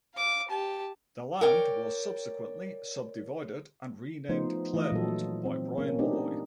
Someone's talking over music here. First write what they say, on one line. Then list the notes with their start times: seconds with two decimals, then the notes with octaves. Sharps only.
The land was subsequently subdivided, and renamed Claremont by Bryan Molloy.
0.15 F5 D6
0.48 G4 A5
1.41 A#4 C#5 D5 G5
4.29 F3 A3 B3 D#4 C5
4.74 E3 A3 F4 D#5
4.92 A#2 F#3 A4
5.45 C4
5.78 A#3 C#4
5.98 A3 C4 D4 D#4 G4